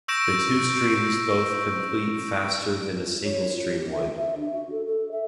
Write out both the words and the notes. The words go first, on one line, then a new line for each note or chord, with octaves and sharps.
The two streams both complete faster than a single stream would.
C#6 E6 G6 A#6 D7 E7
F4
C#5
F4
G4
E5
E5
D4
F#4
A4
A4
E5